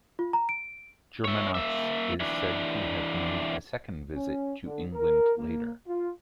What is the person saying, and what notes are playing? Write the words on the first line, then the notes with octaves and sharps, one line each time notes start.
Germanus is said to have made a second visit to England later.
F4
A#5
D7
C#5 E5
A#3 E5
E3 D4
C#4
D3
A#4
A#3
F4